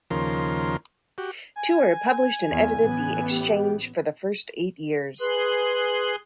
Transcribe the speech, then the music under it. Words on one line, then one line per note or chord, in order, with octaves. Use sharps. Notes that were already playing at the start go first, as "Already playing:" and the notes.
Tuer published and edited the "Exchange" for the first eight years.
D#2 C#3 F3 A#4 C6
F#4 G4
G#5
E2
A1 E3 B3
G4
G#4 B4 C6 F#6